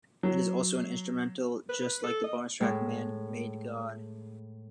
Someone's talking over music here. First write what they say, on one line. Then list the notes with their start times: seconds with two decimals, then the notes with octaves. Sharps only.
It is also an Instrumental, just like the Bonus Track, "Man Made God".
0.23 F#3
1.69 B4
1.82 B4
2.03 A4
2.24 D#5
2.60 A2 G#3